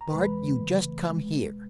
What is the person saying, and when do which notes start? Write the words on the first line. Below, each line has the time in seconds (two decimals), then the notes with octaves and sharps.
"Bart, you just come here!"
0.01 A#5
0.10 E2 C3 E3 G#3 B4 B5
0.60 F#2 C#3 E3 A3
1.10 B2 G#3